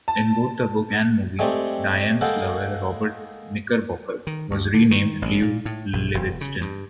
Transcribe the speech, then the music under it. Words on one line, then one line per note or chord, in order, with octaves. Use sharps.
In both the book and movie Diane's lover, Robert Knickerbocker, was renamed Lew Lewiston.
A5
G#3 A3 C4 G4 D5
G#3 A#3 A4 F#5 G5
D#3
D2
D3
D#3
A1
A#2
A2
A#1
E1
C#3
G2